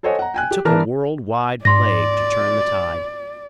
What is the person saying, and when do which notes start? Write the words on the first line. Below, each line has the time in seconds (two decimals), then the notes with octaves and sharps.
It took a world-wide plague to turn the tide.
0.03 A4 C5 C#5 D#5 F#5 G#5
0.19 F#5 A#5
0.34 G5 G#5 F#6
0.51 G4
0.65 E3 B3 A#4 D5 A5
1.65 G#2 D5 C6 A#6